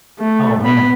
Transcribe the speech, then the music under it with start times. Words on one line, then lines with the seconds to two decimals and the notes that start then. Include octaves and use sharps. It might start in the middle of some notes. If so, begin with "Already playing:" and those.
Oh, man.
0.20 A3
0.62 B3 B5